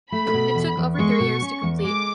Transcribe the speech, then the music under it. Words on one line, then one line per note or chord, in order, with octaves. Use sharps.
It took over three years to complete.
A3 B5
B2
E2
E2
G#3 C#6
B2
C#4
E2
G#3 D6